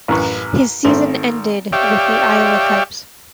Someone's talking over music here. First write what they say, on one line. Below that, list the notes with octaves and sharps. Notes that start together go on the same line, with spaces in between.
His season ended with the Iowa Cubs.
A1 F#2 B4 C#6
G#1 A3 C4
G4 C#5 D5 E5 F5 G5